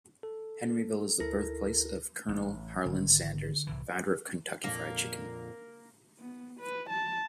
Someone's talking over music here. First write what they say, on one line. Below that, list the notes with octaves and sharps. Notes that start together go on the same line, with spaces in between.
Henryville is the birthplace of "Colonel" Harland Sanders, founder of Kentucky Fried Chicken.
A4
D2 E4 A4 A#4 A#6
A1
G#1 D3
C2 A2 E3
F2 A#2 D3 A#3
B3
B4
A5